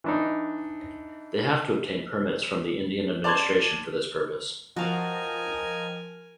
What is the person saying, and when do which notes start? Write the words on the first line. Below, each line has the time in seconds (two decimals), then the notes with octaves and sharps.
They have to obtain permits from the Indian administration for this purpose.
0.04 E3 D4 D#4
3.24 D5 A5 C6 G6 G#6
4.76 F3 F#4 A#4 D#5 F5 G5 G#5 A#5